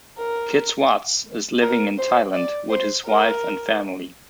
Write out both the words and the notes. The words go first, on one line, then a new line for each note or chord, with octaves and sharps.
Kit Swartz is living in Thailand with his wife and family.
A#4
A#4
C5
D5
C5
A#4